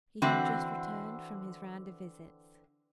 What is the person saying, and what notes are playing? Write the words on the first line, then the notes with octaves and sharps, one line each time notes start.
He had just returned from his round of visits.
D3 E3 C4 F#4